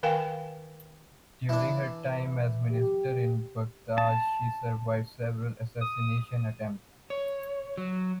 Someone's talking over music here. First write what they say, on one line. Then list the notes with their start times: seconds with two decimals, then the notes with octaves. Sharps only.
During her time as minister in Baghdad she survived several assassination attempts.
0.03 D#3 A#4 F5 G5 G#5
1.49 E3 D4
2.72 G4
3.98 A5
5.81 D#6
7.10 C#5
7.77 F#3